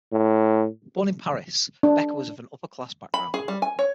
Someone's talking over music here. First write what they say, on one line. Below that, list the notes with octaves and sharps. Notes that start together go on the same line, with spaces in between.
Born in Paris, Becker was of an upper-class background.
A2
D4
B5
G#4
G3
G#5
C#5